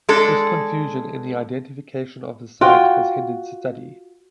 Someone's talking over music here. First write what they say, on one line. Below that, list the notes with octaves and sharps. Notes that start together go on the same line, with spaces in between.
This confusion in the identification of the site has hindered study.
G#3 D4 A4
F4 F#4 G5